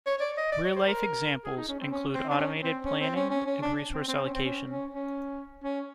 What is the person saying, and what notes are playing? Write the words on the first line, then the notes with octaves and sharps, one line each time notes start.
"Real life" examples include automated planning and resource allocation.
C#5
C#5
D5
D#5
D5
C#5
C5
A#4
G#4
D#4
C#4
C4
C#4
C4
D4
C#4
C4
C#4
C4
C#4
C#4
C#4
D4
C4
C4
C#4
C4
C#4
C#4
C#4
C#4